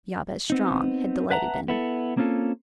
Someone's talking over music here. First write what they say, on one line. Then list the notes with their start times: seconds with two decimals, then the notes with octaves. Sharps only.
Jabez Strong, had delighted in.
0.50 B3 C4 D#4
1.30 B4 E5 F#5 A5 A#5
1.68 B3 E4 A4
2.17 A#3 C4 C#4 F4 A4